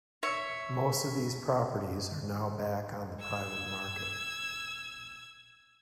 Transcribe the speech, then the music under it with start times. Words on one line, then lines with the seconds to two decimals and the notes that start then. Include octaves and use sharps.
Most of these properties are now back on the private market.
0.23 C#5 E5
3.21 E6 G#6